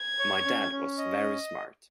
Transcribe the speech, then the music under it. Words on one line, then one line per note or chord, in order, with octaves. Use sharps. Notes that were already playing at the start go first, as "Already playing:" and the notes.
My Dad was very smart.
Already playing: G#6
C#5
C#4
C#4
D#5